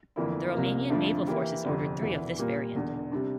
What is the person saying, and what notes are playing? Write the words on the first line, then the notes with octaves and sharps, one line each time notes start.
The Romanian Naval Forces ordered three of this variant.
G1 F2 E3 A#3 E4
C2 C3 F3 A#3
F2 D3 F3 A3 D4
E3 A#3 E4 G4
G1 F2 C3
E1 E2 E3
A#2 G3 A#3
E1 E2 D3
C3 G3 D4